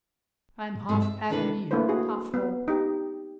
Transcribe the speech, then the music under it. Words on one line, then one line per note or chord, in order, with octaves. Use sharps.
I am half agony, half hope.
G#2 C3 F#3 G3 A3
E5
C3 D#3 E3 D4 A4 B4
A3 A#3 D4 E4 B4 C5
F#4 G#4
B3
D#4 G4